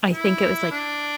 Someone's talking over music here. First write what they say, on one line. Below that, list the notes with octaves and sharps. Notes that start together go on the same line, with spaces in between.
I think it was, like
E4
D4